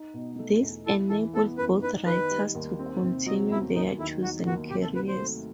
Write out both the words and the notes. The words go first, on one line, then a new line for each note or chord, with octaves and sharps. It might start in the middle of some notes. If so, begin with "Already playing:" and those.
This enabled both writers to continue their chosen careers.
Already playing: D#4
B2
A3
E2
E4 A4
E3 A4
B3 A4
F#2 B4
D#4 B4
D#3 B4
G3
D#2
C4
C3
F#3 D#5
E2 E4
D#2 D#4
D#3 E4
F#3 F#4
D#2 F#4
C3 G4
A4
F#3 B4
C5
A3